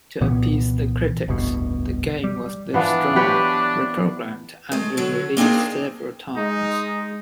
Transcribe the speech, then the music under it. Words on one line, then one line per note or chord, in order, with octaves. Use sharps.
To appease the critics, the game was withdrawn, re-programmed, and re-released several times.
C2 A#2 E3 B3
F1 C2 G2 B2
G3
E3 B3 D4 F4
G4 B4 C#5
G#3 A3
D3 F#3
A#3 C4 D4 D#4 G#4
G#3 D#4